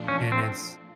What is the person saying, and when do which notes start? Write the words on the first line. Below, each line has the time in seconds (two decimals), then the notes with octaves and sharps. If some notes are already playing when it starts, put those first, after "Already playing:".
And it's
Already playing: A#2 F3 A3 D4 F4
0.08 C#4
0.32 C4